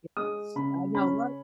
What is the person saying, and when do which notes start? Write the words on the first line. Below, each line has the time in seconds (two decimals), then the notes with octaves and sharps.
Yes. I know lotta
0.17 G#3 D#6
0.55 C#3 B5
0.95 C#4 B5